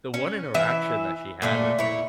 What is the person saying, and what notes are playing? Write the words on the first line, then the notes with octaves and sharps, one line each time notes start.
the one interaction that she had with me
C#4
E3 E5
A#2 D3 A3
E4 C#5